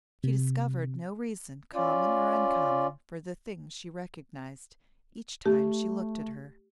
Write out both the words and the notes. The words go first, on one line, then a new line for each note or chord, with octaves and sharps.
But she discovered no reason common or uncommon for the thing she recognised each time she looked at her.
C3
C#4 F4 D5
A3 G4